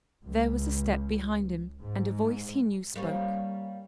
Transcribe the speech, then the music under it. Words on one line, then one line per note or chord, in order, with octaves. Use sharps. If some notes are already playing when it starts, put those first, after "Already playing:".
There was a step behind him, and a voice he knew spoke.
C#2
G#2
G3 A#3 C#4